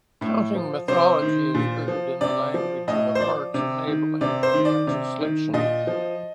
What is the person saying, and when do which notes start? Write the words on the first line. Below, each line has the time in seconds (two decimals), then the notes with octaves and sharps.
Counting methodology is rooted in the language of a park's enabling legislation.
0.21 A2
0.55 F3
0.88 C3 C5
1.22 D#3
1.55 A#2
1.88 F3
2.21 C3 D5
2.54 F3
2.88 A2 D#5
3.15 C5
3.21 F3 D5
3.54 C3
3.87 D#3
4.21 C3 D5
4.43 C5
4.54 D#3
4.65 D5
4.87 C3
5.20 D#3
5.54 A#2 D#5
5.87 F3